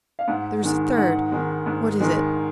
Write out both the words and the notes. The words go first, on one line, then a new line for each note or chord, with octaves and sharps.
There is a third. What is it?
F5
G#2 F#5
D#3 G#3
G#2 F#5
D#3 G#3
G#2
D#3 G#3